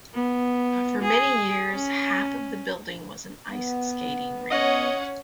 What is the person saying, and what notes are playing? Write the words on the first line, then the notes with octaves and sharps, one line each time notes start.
For many years, half of the building was an ice skating rink.
B3
G#4
C#4
B3
C#4 C#5 D#5 F#5